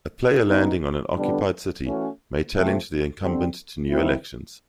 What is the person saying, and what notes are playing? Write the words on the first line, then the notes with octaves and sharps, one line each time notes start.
A player landing on an occupied city may challenge the incumbent to new elections.
G3 B3 D#4
F2 D3 G3 B3 D4
E3 A3 C#4 F#4
C3 F3 A3 C4
D3 G3 C4
G2 D#3 G3 C4 E4